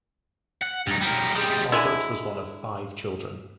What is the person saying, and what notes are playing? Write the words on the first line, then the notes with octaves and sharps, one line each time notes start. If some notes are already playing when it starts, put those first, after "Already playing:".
Albert was one of five children.
F#5
G2 D#4
G3 A#4
G3 G#3
D3 G#3 E4